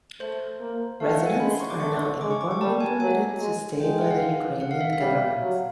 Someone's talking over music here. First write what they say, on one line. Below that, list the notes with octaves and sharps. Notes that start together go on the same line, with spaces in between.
Residents are now informally permitted to stay by the Ukrainian government.
A3 C5
A#3
A3 F5
F#5
G#5
G#3 B5
C6
C#6
D6
A3 C#6
C#6
G#3 D6
C#6
D6
C#6
G3 A5
G#5
F#3 G#5
G#3
G#3 G5
G5
F#5
F5
F#5
F5
E5
E5
G3 F5
F#3